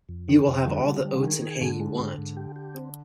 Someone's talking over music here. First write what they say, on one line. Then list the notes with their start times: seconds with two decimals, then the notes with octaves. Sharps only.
You will have all the oats and hay you want.
0.09 F2
0.28 C3 D#3
0.48 F2
0.66 D3 G3
0.86 D3 G3
1.05 G3
1.14 D3
1.22 D#3 G#4
1.42 G#4
1.61 G#2 D3
1.80 G#3
1.99 G#2
2.18 G#2
2.37 G4
2.56 G4
2.75 C4